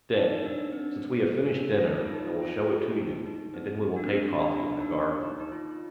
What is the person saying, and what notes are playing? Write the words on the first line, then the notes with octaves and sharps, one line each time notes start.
Stay, since we have finished dinner, I will show it to you, and then we will take coffee in the garden.
D#4
D#4
D4
D4
C4
D4
F4
D#4
F4
D#4
F4
G4
D#4
D#4
C4
D4
C4
D4
D4
D#4
D4
D#4
D#4
F4